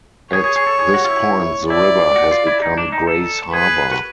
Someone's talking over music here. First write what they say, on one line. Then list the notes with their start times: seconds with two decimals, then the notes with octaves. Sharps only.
At this point the river has become Grays Harbor.
0.33 G#4 C#5
0.44 G#4
0.56 G#4
0.67 A4
0.79 G#4
0.94 F#4
1.05 F4
1.09 E4
1.70 E4 D5
2.16 F#4
2.31 F4
2.47 E4
2.62 D#4
2.77 D4
2.92 D#4
3.07 A4
3.53 G#4 B4
3.91 F#4